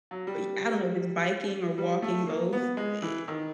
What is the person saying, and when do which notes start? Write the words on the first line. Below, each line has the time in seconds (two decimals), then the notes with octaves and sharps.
I I don't know if it's biking or walking, both, it
0.11 F#3
0.27 G3
1.78 G3
2.02 A3
2.27 A#3
2.53 B3
2.77 G#3
3.02 E3
3.28 D#3